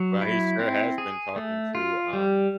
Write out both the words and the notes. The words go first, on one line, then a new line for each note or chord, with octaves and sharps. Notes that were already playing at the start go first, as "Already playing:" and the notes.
Well, he sure has been talking to, um
Already playing: F#3
E4
C4
G#4
A3
F4
G3